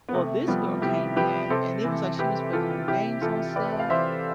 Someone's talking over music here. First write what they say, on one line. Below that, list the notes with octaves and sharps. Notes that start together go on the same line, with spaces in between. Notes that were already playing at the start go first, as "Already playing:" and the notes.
Well this girl came in, and it was, like, she was putting her names on stuff,
B3
C3 A3
F3 G3 B3
C3 E4 G4
F3 G4 B4
C3 A4 C5
E3
C3 G4 B4
E3 F4 A4
C3 E4 G4
E3 F4 A4
C3 B4 D5
F5
E3 C5 E5